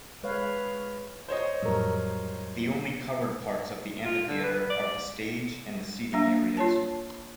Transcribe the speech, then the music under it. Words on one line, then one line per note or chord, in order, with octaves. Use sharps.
The only covered parts of the amphitheatre are the stage and the seating areas.
G#3 B4 C#5 F5
C5 C#5 D#5
F2 A2 F#3 G3 A#4
F4
D3
B4
D5
A#3 D4 E5
F4 C#5 A5